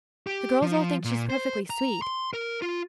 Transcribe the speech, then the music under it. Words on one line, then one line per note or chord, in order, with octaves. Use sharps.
The girls all think she is perfectly sweet.
G4
F3
A#2
C5
A#5
C6
A#4
F4